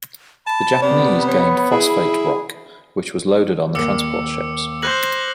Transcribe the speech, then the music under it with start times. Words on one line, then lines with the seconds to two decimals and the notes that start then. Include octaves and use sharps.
The Japanese gained phosphate rock which was loaded on the transport ships.
0.47 A5 B5
0.82 C3 B3 D5
1.28 C#5
1.71 E4 G#4
3.75 D#2 A#3 D6 E6 C#7
4.82 C5 F#6 A#6 F#7